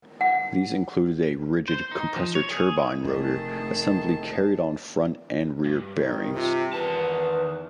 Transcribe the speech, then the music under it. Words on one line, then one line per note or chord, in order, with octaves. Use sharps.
These included a rigid compressor-turbine rotor assembly carried on front and rear bearings.
F#5
C5
D#4
F3
C#5
G#4
F1 D#3 A3 G#4 A5
G2
D#3
C3 F4
E2 D#3 B4 A5